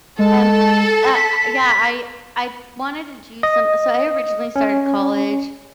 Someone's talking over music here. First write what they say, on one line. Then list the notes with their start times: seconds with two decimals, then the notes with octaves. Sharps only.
Um, y uh, yeah, I I wanted to do some so I originally started college,
0.19 G#3 A4
1.16 B6
3.43 D#5
4.56 C#4